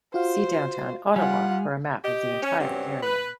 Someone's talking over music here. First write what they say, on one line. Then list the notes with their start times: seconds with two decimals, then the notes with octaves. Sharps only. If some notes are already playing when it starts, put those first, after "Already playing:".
See Downtown Ottawa for a map of the entire area.
0.14 F4 F#4 C5 F5
1.16 G3 F4 F#5 G#5
2.03 G4 D#5
2.42 C#4
2.59 G2 F#3 C4 C#4
3.03 B4